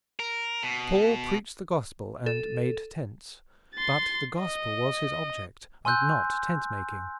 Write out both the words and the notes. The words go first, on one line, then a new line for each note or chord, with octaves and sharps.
Paul preached the gospel and made tents; but the gospel was his object, and not tent-making.
A#4
B2
A4
C6 A6
D#5
G#5 C6 E6 F#6 G6